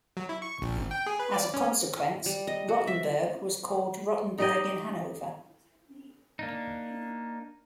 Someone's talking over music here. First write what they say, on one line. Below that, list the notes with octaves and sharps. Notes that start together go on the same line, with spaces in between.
As a consequence, Rotenburg was called "Rotenburg in Hannover".
F#3
E4
C#6
A#1
G#1
G5
G#4
B4
D5
C#4
G3
D#5
F#4
E5
D#4 G4 D#5
A#3 D4 D#4